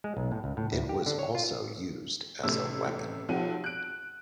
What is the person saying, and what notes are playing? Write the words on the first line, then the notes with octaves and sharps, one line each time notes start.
It was also used as a weapon.
G#3
B1
A2
C#2
A2
D2
G4
D3
C#5
F4
A1 C3 A3 E6
B1 F3 C4 G4 F#5 D#7
F#6 D7